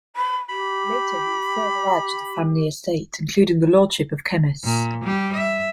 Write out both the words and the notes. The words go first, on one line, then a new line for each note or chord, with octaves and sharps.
Later he would further add to the family estate, including the Lordship of Kemys.
B5
G4 B5
A#2
G3 G4
E5